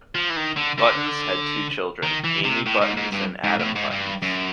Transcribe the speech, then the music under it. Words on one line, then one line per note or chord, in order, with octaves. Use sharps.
Buttons had two children, Amy Buttons and Adam Buttons.
F3
E3
D#3
D3
D3
D#3
E3
C3
A2
G#2
G#2
G2
G#2
A2
G#2
G2
F#2